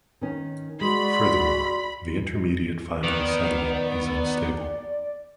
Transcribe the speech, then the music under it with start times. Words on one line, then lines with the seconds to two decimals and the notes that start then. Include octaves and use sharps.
Furthermore, the intermediate vinyl acetylene is unstable.
0.21 D#3 C#4
0.81 G#3 F#4 D5 B5 C6
3.04 D#3 B3 D5